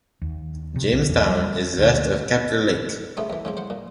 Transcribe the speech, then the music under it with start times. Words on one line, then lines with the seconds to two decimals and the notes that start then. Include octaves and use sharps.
Jamestown is west of Kepler Lake.
0.22 D#2
0.76 C3
0.93 B1
1.09 E2
1.30 G3
1.78 D2
3.17 C#3 A3 B3 C4
3.30 D#2 E3
3.45 A2 C#3 C4
3.57 C5 F#5
3.70 A#2